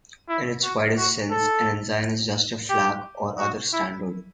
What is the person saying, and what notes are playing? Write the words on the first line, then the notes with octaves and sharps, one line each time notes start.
In its widest sense, an ensign is just a flag or other standard.
E4
F#4
F#4
A4
G4
F#4
E4